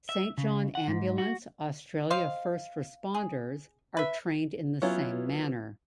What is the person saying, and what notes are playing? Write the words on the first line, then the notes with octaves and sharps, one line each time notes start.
Saint John Ambulance Australia First Responders are trained in the same manner.
E5
C#3
F#5
G#2
F#4
C5 D#5 F5
G#4
B4 E5
F#3 B3 C#4 E4 F4